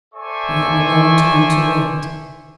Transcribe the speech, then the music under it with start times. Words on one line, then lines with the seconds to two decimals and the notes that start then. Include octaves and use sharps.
We have a long time to wait.
0.14 A4 C5 D5 E5 G#5 C#6